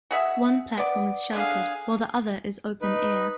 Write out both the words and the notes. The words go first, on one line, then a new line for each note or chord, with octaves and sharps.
One platform is sheltered while the other is open air.
F#4 G#4 E5
B3 D5
D3 G#4 F5
D#4 B4